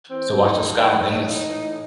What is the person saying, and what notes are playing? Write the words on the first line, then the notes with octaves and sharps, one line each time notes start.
so watch the sky dance,
E3 C4
A2
E3 D#4
A2
E3
A2
E3
A2
E3
A2